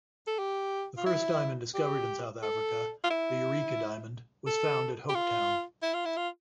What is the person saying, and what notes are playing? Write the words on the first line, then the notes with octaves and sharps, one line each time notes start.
The first diamond discovered in South Africa, the Eureka Diamond, was found at Hopetown.
A4
G4
F4
E4
G4
A4
F4
E4
A4
G4
F4
E4
F4
E4
F4